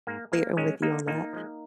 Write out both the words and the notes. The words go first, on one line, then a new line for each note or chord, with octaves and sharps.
am with you on that.
G#2 A#3
G#3 A#3
A#2 G#3 C#4
G#3 A#3 D#4
A#2 A#3 D#4
F3 G#3